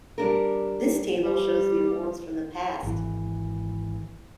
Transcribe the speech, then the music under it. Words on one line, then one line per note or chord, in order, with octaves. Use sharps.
This table shows the awards from the past.
G3 D4 A#4
G3
G#1 E3